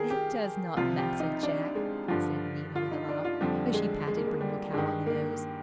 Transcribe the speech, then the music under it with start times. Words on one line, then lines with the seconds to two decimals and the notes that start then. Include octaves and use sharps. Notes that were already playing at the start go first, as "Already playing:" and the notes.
"It does not matter, Jack," said Nina, with a laugh, as she patted Brindle Cow on the nose.
Already playing: D#3 G#4 A#4
0.10 G4
0.77 C2 C3 F3 F4
0.98 G4
1.20 D#4
1.43 D4
1.75 G#3
2.08 G2 D3 F3 F4
2.75 F4
2.91 D#4
3.09 D4
3.25 F4
3.41 F2 D3 F3 G3
3.74 G#3
4.08 G#3
4.17 A#3
4.27 G#3
4.41 G3
4.73 G2 D#3 G#3
5.06 A#3